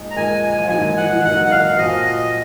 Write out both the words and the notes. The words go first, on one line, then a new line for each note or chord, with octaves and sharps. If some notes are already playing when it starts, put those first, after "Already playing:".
I knew they were coming.
Already playing: A#2 F3 G#3 D#4
A#5
A#2 F3 G#3 D#4 A#4 G#5
G#5
A#1 G#2 F#3 A#3 D#4 G#5
F#5
A#1 G#2 F#3 A#3 D#4 F#5
F#5
F5
A#2 F3 C4 F#4 D#5
D#5